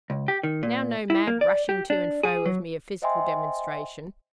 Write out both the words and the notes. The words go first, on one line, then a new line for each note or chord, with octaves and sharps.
Now no mad rushing to and fro of mere physical demonstration.
C#2
G4
D#3
A#2
E4
A#3
D5
G4
D4
G#4
F#3
C5 D#5 E5 G5 G#5 C6